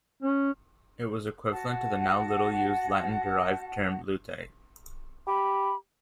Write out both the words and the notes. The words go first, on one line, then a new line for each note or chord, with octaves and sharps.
It was equivalent to the now little-used Latin-derived term lutite.
C#4
F#4 F#5 A5
G4 B5